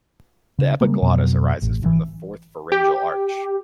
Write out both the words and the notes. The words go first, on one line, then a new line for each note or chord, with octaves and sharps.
The epiglottis arises from the fourth pharyngeal arch.
C#3
C#3 G3 G#3 A#3
F2 B2 F#3
A1
G#1 C3 E3
G4